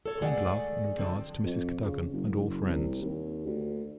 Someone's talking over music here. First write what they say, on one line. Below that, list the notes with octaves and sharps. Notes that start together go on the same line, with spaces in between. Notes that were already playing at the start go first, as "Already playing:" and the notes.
Kind love, and regards, to Mrs. Cadogan, and all friends.
A4 C#5
D#2 G#3 A3 G#4 D5 F#5
D3 F3 C4
F2
C#3
F#1
C2
D#2
D2